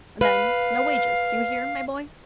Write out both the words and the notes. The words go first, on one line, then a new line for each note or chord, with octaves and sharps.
And then, no wages, do you hear, my boy?
B4 F5